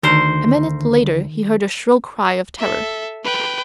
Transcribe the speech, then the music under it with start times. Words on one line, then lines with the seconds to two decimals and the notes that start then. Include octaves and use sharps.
A minute later he heard a shrill cry of terror.
0.03 D2 D#3 A#4 C5
2.59 A4 E5
3.23 B4 G5